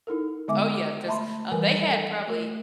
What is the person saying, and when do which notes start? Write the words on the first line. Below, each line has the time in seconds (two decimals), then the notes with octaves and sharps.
Oh yeah, 'cause, um, they had probably
0.07 D#4 E4 A4 A#4
0.48 D3 G#3 B3 E5 G#5 D6
1.07 A3 E5 A5 B5 C6
1.52 D#3 E3 G3 A#4 G#5
1.90 A4
2.27 A3 A#4